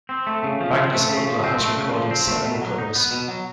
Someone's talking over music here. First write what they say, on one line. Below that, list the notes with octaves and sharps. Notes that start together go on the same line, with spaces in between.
Magnus Uggla has recorded several covers.
C4
A3
C#3
F3
C4
A3
C#3
F3
C4
A3
C#3
F3
C4
A3
B2
F#3
D#4
B3
B2
F#3